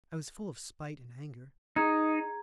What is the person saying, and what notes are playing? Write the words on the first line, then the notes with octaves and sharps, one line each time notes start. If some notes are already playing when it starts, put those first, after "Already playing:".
I was full of spite and anger.
D#4 G#4 A#5 G#6